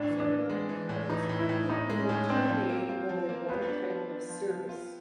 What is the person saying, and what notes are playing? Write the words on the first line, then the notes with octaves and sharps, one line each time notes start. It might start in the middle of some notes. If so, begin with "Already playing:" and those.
Some line cards are capable of terminating more than one type of service.
Already playing: A2 D4
E3
D4
E3
G#3
E3
A2
E3 D#4
A2
E4
A2
A2 D#4
G#3
C#4
A2
C4 D4
F3
A#3
F4
F3
A#3
B3 F4
D4
F3
D4
F3
F3
F4